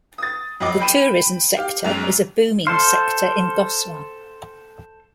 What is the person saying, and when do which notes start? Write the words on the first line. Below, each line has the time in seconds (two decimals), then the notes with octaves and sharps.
The tourism sector is a booming sector in Goslar.
0.18 D#6 A6
0.60 F2 F#3 D#5 D6
0.80 G5 B5 D#7 E7
1.57 G4 F5
1.84 B1 F#2 G#3 F7
2.67 A4 C5 F5 C6